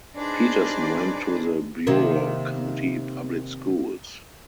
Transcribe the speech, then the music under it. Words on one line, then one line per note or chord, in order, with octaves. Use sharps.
Peterson went to the Bureau County public schools.
D4 D#4 G#4 B4 C5 D5
C3 D#3 A#3